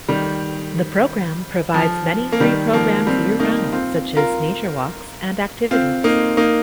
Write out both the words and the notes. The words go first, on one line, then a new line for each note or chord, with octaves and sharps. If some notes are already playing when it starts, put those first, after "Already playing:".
The program provides many free programs year-round, such as nature walks and activities.
D#3 G3
F3
A#3
D#3 G3
F3 A#3
G3 C4
A#3 D#4
C4 F4
F4 A#4
C4 F4
A#3 D#4
A#3 D#4